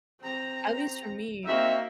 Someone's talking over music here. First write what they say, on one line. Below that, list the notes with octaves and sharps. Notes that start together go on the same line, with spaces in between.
at least for me,
C4 A#5
A#3 C4 D#4 F#4 E5